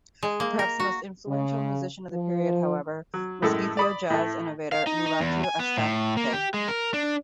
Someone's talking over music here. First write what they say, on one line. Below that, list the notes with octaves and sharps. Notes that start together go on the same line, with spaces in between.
Perhaps the most influential musician of the period, however, was Ethio-jazz innovator Mulatu Astatke.
G#3
A#3
A#4
F#4
C#3
F3
F#3
F#2 A2 G#3 A4 A5
D5 B5 D#6
A2 A3
F5
D#4
D#4
E2
G#5
B3
A2
A#3
G4
G#3
A#4
D4